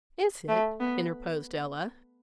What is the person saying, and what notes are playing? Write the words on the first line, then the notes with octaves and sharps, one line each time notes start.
"Is it?" interposed Ella.
A3
B3